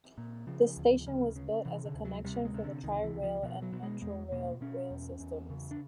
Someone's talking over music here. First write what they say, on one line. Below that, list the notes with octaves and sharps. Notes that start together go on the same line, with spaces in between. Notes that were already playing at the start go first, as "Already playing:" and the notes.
The station was built as a connection for the Tri-Rail and Metrorail rail systems.
A#2
C#3 F3
D2
C#3
C#3
C3 E3
D3
D2
F#3
C3 G3
G#3
C3
D3
C#2 D#3
E3
C#2
F3
B2 F3
F#3
B2
G#3
E2 G#3
B2 A#3
B2 C#4
E2
E2
C#3
D4